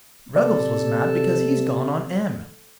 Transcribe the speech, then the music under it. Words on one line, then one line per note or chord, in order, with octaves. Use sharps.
Ruggles was mad because he's gone on Em.
C3 A4 D5